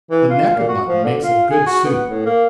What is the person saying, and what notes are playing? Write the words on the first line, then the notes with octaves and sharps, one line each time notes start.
The neck of mutton makes a good soup.
E3
F4
A#2
F#4
F3
D3
F4
G#4
F#4
B3
A2
A#3